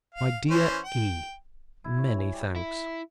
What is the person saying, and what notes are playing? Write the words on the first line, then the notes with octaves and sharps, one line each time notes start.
'MY DEAR E.--Many thanks.
F5
E3 C#4 C5
G5
E4
C#5
G#5
G3
E4